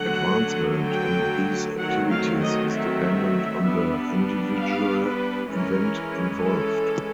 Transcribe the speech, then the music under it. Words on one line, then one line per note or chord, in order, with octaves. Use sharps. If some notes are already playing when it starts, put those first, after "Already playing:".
Advancement in these activities is dependent on the individual event involved.
Already playing: D3 F#3 A3 F#5
G5
D#3 F#3 A3 C4 F#5
F5
D#5
E5
G3 B3 D4
F5
B4
E3 G#3 C#4 A#4
A4